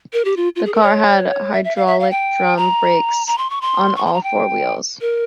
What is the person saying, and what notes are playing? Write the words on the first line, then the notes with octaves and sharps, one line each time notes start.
The car had hydraulic drum brakes on all four wheels.
A#4
G4
F4
F4
G#4
A#4
C#5
E5
E5
F5
E5
F5
G5
A#5
A#5
C6
C#6
C6
C#6
C6
A#5
G5
A#4